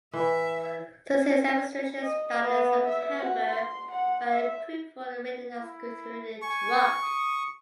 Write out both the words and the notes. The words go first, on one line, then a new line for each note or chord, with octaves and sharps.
Since his administration started in September, their approval rating has continually dropped.
E3 E5
D#5
B3
E5
F#4
C6
F#5
E5
E4
G#5 C#6
D#6